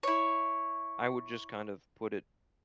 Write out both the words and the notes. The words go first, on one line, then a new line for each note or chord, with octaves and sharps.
I would just kind of put it
E4 C#5